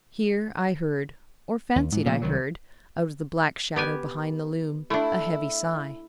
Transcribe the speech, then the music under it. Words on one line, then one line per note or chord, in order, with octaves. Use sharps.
Here I heard--or fancied I heard--out of the black shadow behind the loom, a heavy sigh.
D#2
G#2
A#2 F3 A3
C2 D#3 F#3
B3 G4 G#5
A3 D4 E4